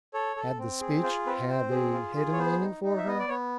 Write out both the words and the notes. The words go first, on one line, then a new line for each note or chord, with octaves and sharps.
Had the speech had a hidden meaning for her?
A4 C#5
A4
C4
G#4
F4 C5
C4 B4
C4 C5
G#4
F4
G#4
C#5
B3 C5
D#4
D#4
E5
B3 D#5
D5
B3 C#5